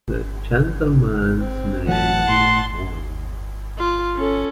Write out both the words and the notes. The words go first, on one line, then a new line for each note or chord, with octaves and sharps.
The gentleman's name is Wong.
C4
A2 E3 F#3 F#5 A5
A2 C6
F4
C#4 A4